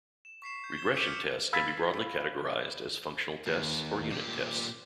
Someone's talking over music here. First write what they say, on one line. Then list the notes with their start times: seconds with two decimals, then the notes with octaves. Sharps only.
Regression tests can be broadly categorized as functional tests or unit tests.
0.25 E7
0.42 C#6 B6 C7 E7
0.64 G6
0.76 G#6 E7 G7
0.93 D6 E6 G6 B6 C#7
1.07 F6
1.53 F5 B5 E6 G#6 A6 B6
3.47 D#2
4.11 A#2 G4